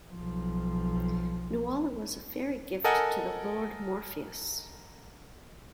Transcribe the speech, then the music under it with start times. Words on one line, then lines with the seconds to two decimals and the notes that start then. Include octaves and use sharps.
Nuala was a faerie gift to the Lord Morpheus.
0.12 B1 F3
2.84 A4 A#4 D#5 F#5 G#5